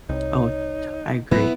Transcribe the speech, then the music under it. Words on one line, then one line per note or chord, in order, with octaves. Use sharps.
Oh, to I agree.
C2 D#4 C#5
D1 G#2 E3 F#3 B3 E4